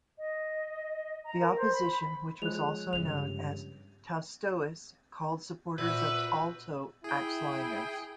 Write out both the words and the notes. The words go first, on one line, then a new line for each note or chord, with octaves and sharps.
The opposition, which was also known as "taistoists", called supporters of Aalto "axe liners".
D#5
A#5
A#4
C5
B5
F3 G#3 C#5 F#6 F7
G2 C#3 F7
A#2 F#4 B4 C5 E5
E4 G#4 G5